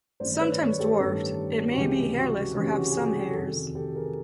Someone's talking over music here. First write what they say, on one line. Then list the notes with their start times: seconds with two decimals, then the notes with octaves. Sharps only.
Sometimes dwarfed, it may be hairless or have some hairs.
0.20 A1 G2 D#3 C5 D5
0.34 D5
0.41 B4 C#5
0.60 B4 C#5
0.79 G4 A4
1.00 A1 G2 D#3
1.71 F#4
1.78 C#2 C3 E3 G#3 C#4 G4
2.18 F#4
2.56 C#2 C3 E3 G#3 C#4 G4
2.70 G4
2.77 F#4
2.91 G#4
2.96 G4
3.08 F#4
3.16 G4
3.31 A4
3.36 F2 C3 D#3 F#4 G#4
3.75 G4 A4
3.95 G#4 A#4